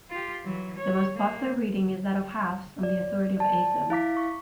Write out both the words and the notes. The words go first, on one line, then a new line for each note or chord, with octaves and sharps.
The most popular reading is that of Hafs on the authority of 'asim.
F4 G4
E3 F#3
C#5
A#3
D5
D5 A5
E4 F5 D6 B6
C#6